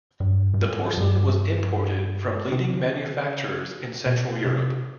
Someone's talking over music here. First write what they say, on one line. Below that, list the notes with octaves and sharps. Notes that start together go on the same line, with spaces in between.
The porcelain was imported from leading manufacturers in central Europe.
G2
G2
G#2
G2
C3
D3
D#3
D3
C#3
B2
C3